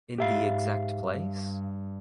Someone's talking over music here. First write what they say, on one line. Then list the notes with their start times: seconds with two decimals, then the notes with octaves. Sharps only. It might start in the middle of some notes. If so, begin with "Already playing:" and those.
In the exact place?
0.18 G#2 G4 E5 F5
1.05 G2